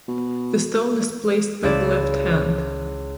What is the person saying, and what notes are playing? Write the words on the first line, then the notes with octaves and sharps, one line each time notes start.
The stone is placed by the left hand.
B2
C#2 E4 D5 E7